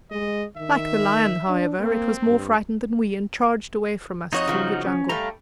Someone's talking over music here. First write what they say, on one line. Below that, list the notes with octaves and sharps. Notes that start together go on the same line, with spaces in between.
Like the lion, however, it was more frightened than we, and charged away from us through the jungle.
G#3 D#5
D#3 E5
D4
A#3 C4
G2
F2 D#4 F#4 C#5 D#5 D#6
C#3 F3 F#3
C#4
G3 A3 F5 A#5